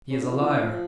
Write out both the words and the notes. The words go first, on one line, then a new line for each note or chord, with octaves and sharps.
He is a liar.
C#3
D3
F3
E3
D3
F3